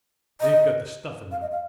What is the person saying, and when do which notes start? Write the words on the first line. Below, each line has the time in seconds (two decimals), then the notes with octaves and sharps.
They've got the stuff in them!
0.41 D#5
1.31 F5
1.41 D#5
1.51 F5